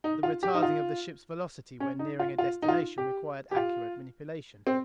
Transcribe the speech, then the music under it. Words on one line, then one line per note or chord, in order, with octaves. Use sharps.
But the retarding of the ship's velocity when nearing a destination required accurate manipulation.
D#4
F4
G4
D#4
F4
C#4
D#4
F4
F4
D#4
F4
G4
G4
F4
C4